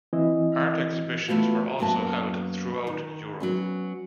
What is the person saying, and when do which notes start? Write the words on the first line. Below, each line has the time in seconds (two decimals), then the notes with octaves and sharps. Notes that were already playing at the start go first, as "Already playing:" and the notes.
Art exhibitions were also held throughout Europe.
0.13 E3 C4 E4 D#5
1.28 E3 A3 B3 F4 F#4
1.79 F#2 F#3 A#3 B3 A5
2.87 D#3
3.40 F#3 B3 C#4